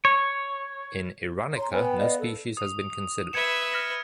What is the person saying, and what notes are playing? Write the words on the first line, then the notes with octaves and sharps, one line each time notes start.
In “Iranica” no species has been considered.
C#5
C#5 A#5 C6
B3 G5 G#5
D5 D#5 F5
A4
D#6
B4 E5 G#6 C#7 E7
F6 A#6 B6